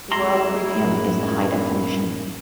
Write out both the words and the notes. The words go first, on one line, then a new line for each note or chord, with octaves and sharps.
The World Premium is the high definition.
F2 G#3 E4 A#5 C6
F#2 A2 A#4